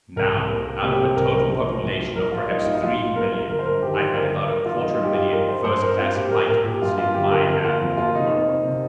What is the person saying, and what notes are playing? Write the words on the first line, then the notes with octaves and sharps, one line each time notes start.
Now, out of a total population of perhaps three million, I had about a quarter-million first-class fighters in my half of the world.
C2 A#4
C2
A#3
A#3
C3 G4
C3
C2 A#4
G3 A#4
A#1
A#1
A#1
F3
A#1 A#4
A#1 F4
G3 D#4
A#1 F4
D#4
A#1 F4
A#2
A#1 A#4
A#1 A#4
G1 A#4
C5
G2 A#4
D#3 G4
G2 C5
G1 A#4
G1
G1 A#4
D#3 F4
G3 D#4
G3 F4
G4
G2 F4
G3 A#4
G2 C5
G2 C5
G2 A#4
C4 F4
A#2 G4
A#2 A#4
A#2 A#4
A#2 G4
G2 F4
G2 F4
G1 G4
G1 A#4
F2 A#4
A#3 F4
F2
A#3 F4
C3 D#4
C4
C4
C3